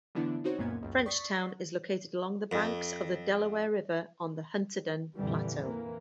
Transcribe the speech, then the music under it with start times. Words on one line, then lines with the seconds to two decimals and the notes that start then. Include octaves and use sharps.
Frenchtown is located along the banks of the Delaware River on the Hunterdon Plateau.
0.15 A2 D3 E3 B3 D4 E4
0.44 C4 D#4 F#4 C5 C#5
0.58 C#2 F#2 A#2 A#3 B3 G#6
0.82 C#2 F#2
1.06 D5 C#6 D#6 A6 B6 C7
2.52 F2
5.15 F2 A#2 D3 E3 G3
5.60 E3 A#3